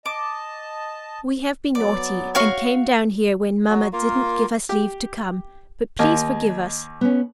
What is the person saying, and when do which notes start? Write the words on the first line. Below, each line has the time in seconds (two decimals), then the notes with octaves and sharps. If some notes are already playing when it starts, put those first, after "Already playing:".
We have been naughty, and came down here when mamma didn't give us leave to come; but please forgive us.
0.06 D#5 A5 D6
1.75 F#3 B3 D5
2.35 F#4 C#5 F5 C#6
3.69 F#3 F#4
3.93 A#3 F4 A#4 F5
4.69 G4
5.99 D#2 D#5
7.01 B3 C#4